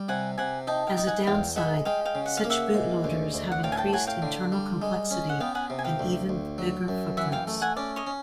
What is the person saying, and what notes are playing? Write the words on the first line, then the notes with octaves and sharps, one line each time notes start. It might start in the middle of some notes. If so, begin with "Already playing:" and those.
As a downside, such boot loaders have increased internal complexity and even bigger footprints.
Already playing: G3
C3 F#5 G#5
C3 F#5 G#5
D#4 G5 A5
F5 G5
D#4
F#5 G#5
E2 F5 G5
G#3 E5 F#5
G#3 F5 G5
F5 G5
C#3
F#5
F5
A#3
E5 F#5
G#2
D2
D2
F#5
A2 F5 G5
G#5
G5 A5
A2 F#5 G#5
F5 G5
D3
G3
G#3
C#4
F#5
B3 F5 G5
F#5 G#5
C3
G#5
F5 G5
D2
D2
F#3
F#2
E3 E5 F#5
F5 G5
A3
F#5 G#5
C#4 D5
C#5 D#5
C#4